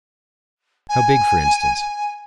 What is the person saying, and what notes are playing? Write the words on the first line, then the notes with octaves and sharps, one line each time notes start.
"How big, for instance?"
G#5